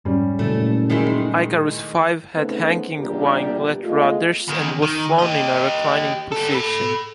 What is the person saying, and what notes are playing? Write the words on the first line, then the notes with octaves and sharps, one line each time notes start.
Icarus Five had hanging winglet rudders and was flown in a reclining position.
F2 G#2 G3 C#4
F#1 A#2 C#3 A3
D#3 G#3 E4
C#3 A3 B3 C4 D#4 B4
E2 A#2 G3 D4 G4 A#4
G#3 A3 B3 F4
E2 D#3
D#3
G4 D#5
G3 A4
A4 B5